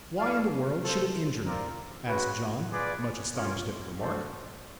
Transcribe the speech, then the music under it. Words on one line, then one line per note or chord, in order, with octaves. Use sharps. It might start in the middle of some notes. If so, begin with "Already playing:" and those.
"Why in the world should it injure me?" asked John, much astonished at the remark.
E4 A4 D5 F5
F4 A4 C5
C4 F4 A#4 D5
G#3 C#4 F#4 B4
F4 G#4 B4 D5
A#3 C#4 F4
A3 D4 F#4 A4 C5